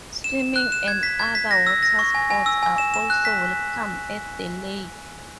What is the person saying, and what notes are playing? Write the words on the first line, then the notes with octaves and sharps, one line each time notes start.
Swimming and other watersports are also welcome at the lake.
E7
E7
F#6
E7
G#6
B6
G#6
B6
A#6
E6
A#6
C#6
G#5
G#5
E6
G#5
E7
E7
F#6
B6